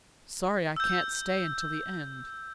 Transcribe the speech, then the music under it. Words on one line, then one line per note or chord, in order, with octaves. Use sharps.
Sorry I can't stay until the end.
E6 G6